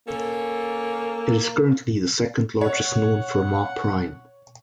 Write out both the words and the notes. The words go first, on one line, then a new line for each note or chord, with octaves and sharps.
It is currently the second largest known Fermat prime.
A#3 C#4 A4
C#5 F#5